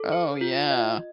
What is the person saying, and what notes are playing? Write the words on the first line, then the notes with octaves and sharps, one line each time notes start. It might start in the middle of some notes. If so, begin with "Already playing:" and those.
Oh yeah.
Already playing: A4
C5
F4
D#5